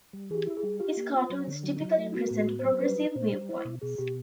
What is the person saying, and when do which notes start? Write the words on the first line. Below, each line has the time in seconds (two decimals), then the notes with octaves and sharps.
His cartoons typically present progressive viewpoints.
0.13 G3
0.30 E3 G#4
0.35 G4
0.47 E4
0.57 G#4
0.63 G3
0.80 F4 G4
0.97 A#3
1.13 F4
1.30 F#3
1.47 D3
1.63 F#3
1.80 F#3
1.98 A3
2.14 B3 F#4
2.30 A2
2.36 F#4
2.48 B3
2.59 C5
2.65 F#3
2.74 C5
2.81 G3 B4
2.98 D#4
3.15 A#2 C5
3.32 G3
3.49 E4 C5
3.65 B2
3.81 B2 G#4
3.98 B2 G4